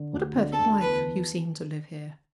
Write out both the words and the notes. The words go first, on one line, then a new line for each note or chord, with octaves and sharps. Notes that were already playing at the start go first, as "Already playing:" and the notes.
'What a perfect life you seem to live here!
Already playing: D3
D2
D3
A4
D2
E2 B4
E3